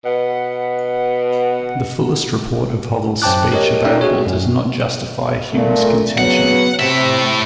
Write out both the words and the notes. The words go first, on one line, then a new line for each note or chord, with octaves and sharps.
The fullest report of Hovell's speech available does not justify Hume's contention.
B2 F#5
F#2 C5 G5 A5 D6 F#6
G4 A#4 C#5 D#5
C#4 D#4 A4 D5 E5 G5
F#4 G#4 C#5
F#2
A#2 A3
C#3 F#3 B3 F#5
A2 C3 E5